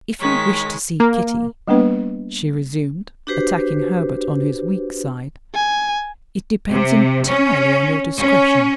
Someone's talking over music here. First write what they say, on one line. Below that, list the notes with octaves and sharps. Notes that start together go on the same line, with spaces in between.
"If you wish to see Kitty," she resumed, attacking Herbert on his weak side, "it depends entirely on your discretion."
D#3 G#3 C#5 B6
A#3
G3 A#3 B3 D4 B4
D4 F#4 G4 B4 C5
G#5
C3
C#4
C#4